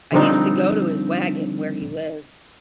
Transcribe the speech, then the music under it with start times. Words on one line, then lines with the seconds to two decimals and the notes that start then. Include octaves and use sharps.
I used to go to his wagon, where he lived.
0.12 D3 F3 G3 C4 D4 D#4